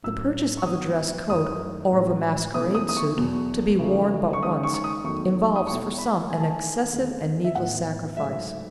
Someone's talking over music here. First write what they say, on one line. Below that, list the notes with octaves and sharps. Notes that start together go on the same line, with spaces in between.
The purchase of a dress-coat or of a masquerade-suit to be worn but once, involves for some an excessive and needless sacrifice.
A2 F#3 C#4 E4 E6
C#6
G#2 F#3 B3 E4 D#6
F#2 D#3 A3 C#4 E4 D#6
A2 G#3 C#4
B2 A3 C#4 E4 D#6
D#6
D#6
C#6
E2 B2 F#3
C#3 E3 A3 D#4
C#6
D#3 G#3 C#4 D#6
C#6
C#6
D#6
E2 D#3 F#3 A3 C#6
D#6
B2 A3 E4 C#6
B5
D#3 A3 E4 G#5
A5
G#5
E2 D#3 A3 D#4
E5
A2 E3 B3 D#4 F#5
G#2 F#3 A3 E5